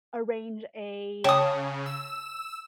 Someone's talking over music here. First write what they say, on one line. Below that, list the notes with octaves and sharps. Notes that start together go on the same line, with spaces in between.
arrange a,
C#3 C#5 G5 A5 D#6
E6